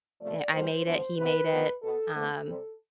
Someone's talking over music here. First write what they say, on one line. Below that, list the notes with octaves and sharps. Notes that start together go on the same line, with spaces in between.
eh I made it, he made it, um
C3 F3 A3 D5
D2 D3 G3 C5
G2 F3 B3 C5
C3 E3 B3 B4
D2 D3 F3 B3
B2 B3 A4
E2 D3 A3 C4 A4
C3 G3 C4